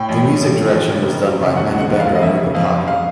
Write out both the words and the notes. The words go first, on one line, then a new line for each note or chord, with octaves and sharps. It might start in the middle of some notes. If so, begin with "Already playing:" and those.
The music direction was done by Manabendra Mukhopadhyay.
Already playing: A2 G5
A1
A1
A1
F3
A1
C#3
E1
F#3
C#3
D#2 F#5
C#3
F#5
E1
F5
E1
D#5
F2 E5
C#3
F2 F5
F#1
F5